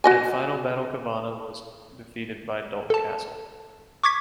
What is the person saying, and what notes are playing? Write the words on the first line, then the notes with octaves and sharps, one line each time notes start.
At Final Battle Cabana was defeated by Dalton Castle.
F#4 D#5 G#5
A4 A5
C#6 D6 G#6 B6